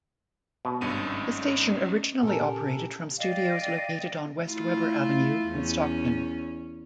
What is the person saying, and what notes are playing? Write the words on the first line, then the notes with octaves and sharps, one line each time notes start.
The station originally operated from studios located on West Weber Avenue in Stockton.
B2
G#1 G2 C#4 D#4 D#7
A#2 C#4 G4 A4 A#4 G#5 A5
D5 D#5 F5 G5
A3 E4 F4
E2 C#4